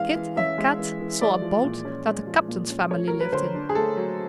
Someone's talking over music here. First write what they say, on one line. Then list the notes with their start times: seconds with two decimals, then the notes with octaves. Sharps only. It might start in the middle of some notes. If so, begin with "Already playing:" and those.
Kit and Kat saw a boat that the Captain's family lived in.
Already playing: E3 G#3 C#4 F5
0.15 E3
0.36 C#4 E5
0.58 G#3
0.78 E3
1.01 E3
1.21 G#3 D5
1.42 F3
1.64 A#2
1.85 C#4
2.06 G#3
2.27 F3
2.48 A#2
2.70 C#4
2.91 A3 C#5
3.08 F#3 A#4
3.20 B4
3.33 D3 C5
3.55 D4
3.69 G#4
3.75 A3 A4
3.97 F#3